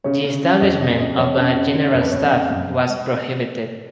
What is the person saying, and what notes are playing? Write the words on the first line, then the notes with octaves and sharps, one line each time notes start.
The establishment of a general staff was prohibited.
C#3 C#5
C#3
C#3
F2 D#5
C#3 D#5
F2 D#5
F2 C#5
C#3
C#3
C#3
F2 A#4
B4
F2 C#5
D#5
C#3 F5
F#2